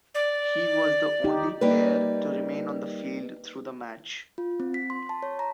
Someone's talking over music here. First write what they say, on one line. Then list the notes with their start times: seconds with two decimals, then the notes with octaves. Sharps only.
He was the only player to remain on the field through the match.
0.15 D5
1.24 D#4 G4
1.61 G3 A#3 D#4 B4
4.38 F4
4.60 C4
4.74 B6
4.90 C6
5.09 A5
5.23 C#5
5.39 A#5